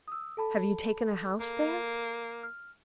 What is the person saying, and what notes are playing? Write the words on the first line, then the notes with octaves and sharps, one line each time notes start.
Have you taken a house there?'
D#6 E6
A4 A5 B5
A#3
F6